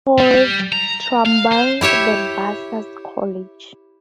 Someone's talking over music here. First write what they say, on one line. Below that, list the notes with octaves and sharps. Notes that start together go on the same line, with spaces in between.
Some called Trumbull the bursar's college.
G3
A#5
F5
C5
E4 G4 C#5 E5